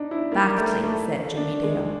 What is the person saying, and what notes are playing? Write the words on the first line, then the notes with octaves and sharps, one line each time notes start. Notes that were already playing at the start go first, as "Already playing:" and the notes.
"Exactly," said Jimmie Dale.
Already playing: D4 D#4
E4
A#3
A3
A3
D4
G#3